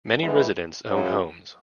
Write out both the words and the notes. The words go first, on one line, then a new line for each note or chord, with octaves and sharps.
Many residents own homes.
G2 E3 G#3 B3
F#2 C#3 F#3